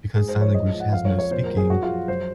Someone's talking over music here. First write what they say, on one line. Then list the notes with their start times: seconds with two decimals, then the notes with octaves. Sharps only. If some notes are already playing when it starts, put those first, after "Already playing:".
because sign language has no speaking,
0.16 G#2 G#4
0.29 C5
0.35 F3
0.41 C#5
0.54 G#2 D#5
0.73 F3
0.80 F#5
0.93 F2 F5
1.05 C#5
1.12 F2
1.18 C#5
1.31 A#2 C5
1.44 A#4
1.51 F#3
1.57 G#4
1.70 F#2 F#4
1.83 F4
1.89 F3
2.08 F#2 C5